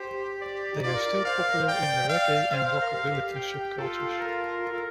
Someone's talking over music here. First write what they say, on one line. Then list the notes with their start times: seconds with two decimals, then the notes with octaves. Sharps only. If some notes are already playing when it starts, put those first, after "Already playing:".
They are still popular in the raggare and rockabilly subcultures.
Already playing: G4 C5
0.42 D5
0.74 D#4
0.83 F4 D5
0.94 A#4
1.04 A#4
1.15 A#4
1.25 C5 F5
1.46 A#4
1.59 C5
1.68 D5 G5
2.10 F5
2.51 C5 F5
2.66 C5
2.80 A#4
2.93 G4
3.01 A4
3.08 G4
3.36 G5
3.78 F4 A4
4.20 A#4
4.62 F4
4.73 A4